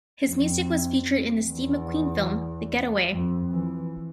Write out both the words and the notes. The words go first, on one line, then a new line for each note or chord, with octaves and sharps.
His music was featured in the Steve McQueen film "The Getaway".
F2
E2
F2
E3